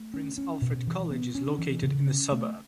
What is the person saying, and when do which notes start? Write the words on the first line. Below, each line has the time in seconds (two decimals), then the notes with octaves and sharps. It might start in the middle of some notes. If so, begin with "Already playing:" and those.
Prince Alfred College is located in the suburb.
Already playing: A3
0.14 C#4
0.38 C#4
0.62 B2
0.87 E3
1.11 B3
1.35 C#4
1.58 E3
1.83 C#3
2.07 C#4
2.32 A3